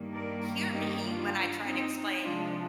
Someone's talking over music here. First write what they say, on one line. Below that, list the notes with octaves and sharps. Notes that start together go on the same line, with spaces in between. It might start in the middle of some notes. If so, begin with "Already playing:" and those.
hear me when I try to explain
Already playing: G2 D#3 G3 A#3
A#4 D5
D#4 G4
D4 F4
C4 D#4
C3 F3 G#3 D4 F4